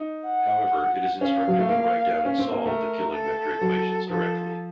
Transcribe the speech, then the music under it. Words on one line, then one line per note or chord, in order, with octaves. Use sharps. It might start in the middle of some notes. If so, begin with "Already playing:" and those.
However, it is instructive to write down and solve the Killing vector equations directly.
Already playing: D#4
F#5
C#4 F5
F#3
A3
A#3
C#4
C4
A#3
A3 A#4
A4
F#3
F3 A4